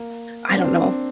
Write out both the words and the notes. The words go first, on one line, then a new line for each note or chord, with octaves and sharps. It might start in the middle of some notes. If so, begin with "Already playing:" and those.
I don't know
Already playing: A#3
C4
D4
C4